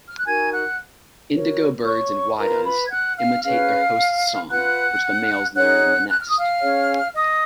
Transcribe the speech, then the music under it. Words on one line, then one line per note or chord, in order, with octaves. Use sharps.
Indigobirds and whydahs imitate their host's song, which the males learn in the nest.
F6
F#6
D#4 F#4 A#4 G#5 G#6
F#5 F#6
F#4 A#4 C#5
C#5 C#6
F4 A#4 B4 A#5
B4 B5
G#6
F#5 F#6
F5 F6
C#4 G#4 B4 F5 F6
F4 B4 F#5 F#6
D#4 G#4 C#5 F#5 F#6
F#6
F6
D#6
F5 F6
C#4 G#4 C#5
D#5 D#6